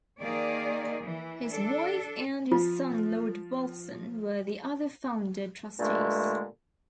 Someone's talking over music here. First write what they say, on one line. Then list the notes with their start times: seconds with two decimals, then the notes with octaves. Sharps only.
His wife and his son Lord Wolfson, were the other Founder Trustees.
0.20 D#3 A#3 G#4 D5
1.03 E3
1.50 D4 A4
2.52 F3 F4
5.79 G2 A#2 D3 G#3 A3